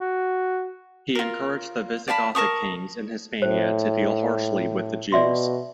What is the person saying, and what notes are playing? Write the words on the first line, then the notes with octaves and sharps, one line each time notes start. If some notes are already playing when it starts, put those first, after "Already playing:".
He encouraged the Visigothic kings in Hispania to deal harshly with the Jews.
F#4
F4 A#4
D5 F5 A5 B5
A#4 A5 C#6 D#6
A2 C5
B2 D5 E5 C6